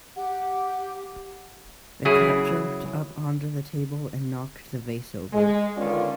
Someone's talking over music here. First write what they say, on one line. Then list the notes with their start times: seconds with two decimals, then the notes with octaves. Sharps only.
The cat jumped up onto the table and knocked the vase over.
0.16 G4 F#5
2.05 C#3 F#3 E4 G#4
5.33 G#3
5.77 D3 D#3 B3 C#4 F4 D5